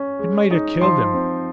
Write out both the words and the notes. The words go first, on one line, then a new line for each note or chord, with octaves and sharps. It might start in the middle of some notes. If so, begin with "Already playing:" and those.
It mighta killed him.
Already playing: C#4
G#3
D#4
F3 C6
C4